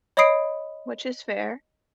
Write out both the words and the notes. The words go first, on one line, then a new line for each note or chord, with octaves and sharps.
which is fair.
C#5 D#5 B5 D#6 C7 D7